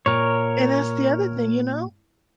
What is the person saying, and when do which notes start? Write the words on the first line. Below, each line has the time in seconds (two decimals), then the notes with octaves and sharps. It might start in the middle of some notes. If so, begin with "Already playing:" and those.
And that's the other thing, you know?
0.06 A#2 A#4 C#5